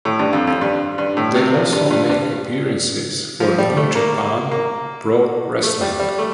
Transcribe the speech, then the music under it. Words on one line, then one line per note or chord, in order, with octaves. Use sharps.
They also make appearances for New Japan Pro Wrestling.
A2
G2
F2
F2
G2
G2
A2
C3
A#2
G2
G2
G2
F3
G3
A3
A#3
A#3
A3
G3
G3
A3